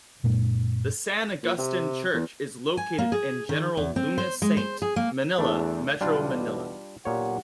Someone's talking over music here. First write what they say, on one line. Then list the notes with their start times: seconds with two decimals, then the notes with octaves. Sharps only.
The San Agustin Church is located in General Luna Saint, Manila, Metro Manila.
0.24 F#2 A#2 G#3 D4
1.43 A#2
1.58 C3
2.14 E2
2.77 G#5
2.98 A#3
3.12 G#4
3.49 D#3
3.77 E2
3.96 C4
4.18 C5
4.42 G#3
4.57 C5
4.82 G#4
4.96 A#3
5.38 E2 A3 D4
6.01 B1 E2 B2 G3 D4 F4
7.05 B1 A#2 G4 C#5 F#5